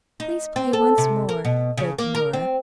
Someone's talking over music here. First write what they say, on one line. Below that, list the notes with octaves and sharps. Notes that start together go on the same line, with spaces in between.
"Please play once more," begged Nora.
D#4
C4
A4
C3
A#4
B2
C#3
A#3
A#4
C4